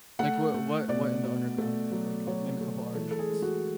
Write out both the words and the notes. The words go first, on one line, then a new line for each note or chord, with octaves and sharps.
Like, what what what in the underground? Like, name a couple artists.
A3 F#5
A3
B2 D5
B2
A3
F#3
F#3 C#5
A3
E3 A4
A4
G#4
G#3
F#4